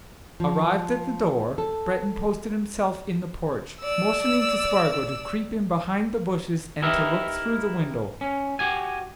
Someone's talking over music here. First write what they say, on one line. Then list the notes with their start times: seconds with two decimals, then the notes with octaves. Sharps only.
Arrived at the door, Breton posted himself in the porch, motioning to Spargo to creep in behind the bushes and to look through the window.
0.40 F3
1.58 A4
3.81 D5 E6
6.82 D#4 E4 G4 A#4 B4 E5
8.21 C#4
8.59 F#4 G4 G#5